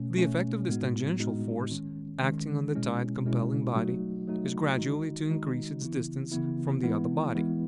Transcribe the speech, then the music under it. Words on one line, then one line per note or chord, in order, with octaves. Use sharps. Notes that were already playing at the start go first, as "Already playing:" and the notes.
The effect of this tangential force acting on the tide-compelling body is gradually to increase its distance from the other body.
Already playing: B2 A3 C#4
B2 A3 C#4
A2 G#3 B3 D#4 F#4
A2 G#3 B3 D#4 F#4
D#3 G#3 C#4
D#3 G#3 C#4
B2 G#3 C#4 E4
B2 G#3 C#4 E4
F#3 A3 D#4 F#4
F#3 A3 D#4 F#4
D#3 G#3 D#4 F#4
D#3 G#3 D#4 F#4
C#3 E3 B3 E4
C#3 E3 B3 E4
E3 G#3 B3 E4
E3 G#3 B3 E4